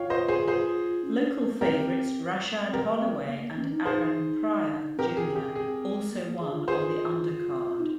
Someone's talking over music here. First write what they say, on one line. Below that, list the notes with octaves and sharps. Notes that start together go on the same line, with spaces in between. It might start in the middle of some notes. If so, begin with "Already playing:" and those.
Local favorites Rashad Holloway and Aaron Pryor Junior also won on the undercard.
Already playing: F4 C#5 F5 G5
C5 D#5
G#4 C5
G#4 C5
C#4
A#3
C4 G4 A#4
C4 G4 A#4
A#3
A#3
A#3
C#4
D#4
D#4 G#4 C5
C4 G4 A#4
G#4
G4
G#4
A#3
G#4
F4
F4 G#4 C5
F4
D#4